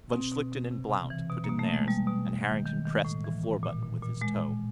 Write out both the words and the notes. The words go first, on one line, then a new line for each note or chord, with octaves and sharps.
Von Schlichten and Blount put in theirs, and Harrington pressed the floor-button with his toe.
B2 C4
B2
B2
C3
C3
E3
B2
A#3
B2
A3
B2 G#3
B2 G3
B2
B2
D#3
D#3
D#3
A2
E3
A2
A#2
A#2
A#2
A#2 G#3
A#2